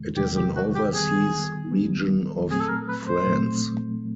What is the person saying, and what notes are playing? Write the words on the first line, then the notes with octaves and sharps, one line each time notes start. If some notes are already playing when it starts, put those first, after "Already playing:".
It is an overseas region of France.
Already playing: E2 C3 D#3 G#3
E2 C3 D#3 G#3 G4
G4
F#4
G4
D#3 G3 B3 G#4
D#3 G3 B3
A#2 F#3 A3 C4 G#4
A4
A#4
B4
C5
A#2 F#3 A3 C4